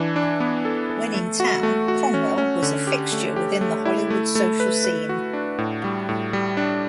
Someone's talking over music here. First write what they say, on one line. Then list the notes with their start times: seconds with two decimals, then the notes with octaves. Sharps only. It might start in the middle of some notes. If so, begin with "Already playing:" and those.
When in town, Cromwell was a fixture within the Hollywood social scene.
Already playing: E3 D4
0.16 D4
0.40 B3
0.65 A4
0.90 A4
1.14 A3
1.40 F#4
1.63 A3
1.88 F#4
2.14 C#4
2.38 C#4
2.63 D3
2.87 G4
3.12 A3
3.36 G4
3.61 A3
3.85 E4
4.10 A3
4.35 A3
4.60 B4
4.84 B4
5.09 F#4
5.33 D4
5.58 A2
5.84 G3
6.09 A2
6.33 G3
6.57 D4